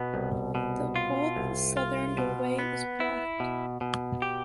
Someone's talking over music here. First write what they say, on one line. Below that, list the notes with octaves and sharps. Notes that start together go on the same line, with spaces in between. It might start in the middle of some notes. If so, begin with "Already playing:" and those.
The old southern doorway is blocked.
Already playing: B2 B3
C2
B2
F4
C2
F4
B2
B3
E4
B2
B2
G4